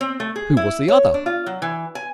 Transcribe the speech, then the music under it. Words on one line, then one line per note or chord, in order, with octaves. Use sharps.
Who was the other?
C4
A3
G#4
E4
C#5
D4
F4
F#3
E3
G#5